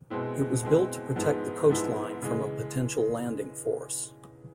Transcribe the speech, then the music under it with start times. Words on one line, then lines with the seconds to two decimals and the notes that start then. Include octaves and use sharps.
It was built to protect the coastline from a potential landing force.
0.10 B2 G#3 C4 E4
0.63 B2 G#3 C4 E4
1.16 G#2 F3 G#3 B3 E4
1.69 G#2 F3 G#3 B3 E4
2.22 C#3 E3 G#3